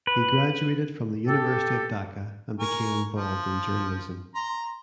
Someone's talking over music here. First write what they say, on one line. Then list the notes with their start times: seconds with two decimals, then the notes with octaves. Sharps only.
He graduated from the University of Dhaka and became involved in journalism.
0.07 B4
1.27 G4 A4
2.60 A#4 G#5 C#6
3.17 F3
4.35 A#5 C6